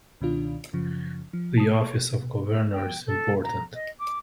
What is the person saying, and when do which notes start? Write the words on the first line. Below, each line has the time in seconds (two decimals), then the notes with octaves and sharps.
The office of Governor is important.
0.21 C#2 B2 D#3 D4 F4
0.73 F#2 C#3 F3
1.33 F3
1.57 A5 D#6
2.74 G5
3.07 A4
3.44 A#5
3.75 D#5
4.00 D6